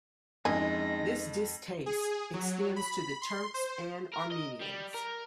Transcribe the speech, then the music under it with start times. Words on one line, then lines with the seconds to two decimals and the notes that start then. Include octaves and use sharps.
This distaste extends to the Turks and Armenians.
0.45 F2 G#3 C#4 D#4 E4 G#4 A#6
1.86 G#4
2.34 F#3
2.76 B5
3.21 C6
3.54 C5
4.14 A#4
4.32 D#5
4.62 G3
4.94 A#4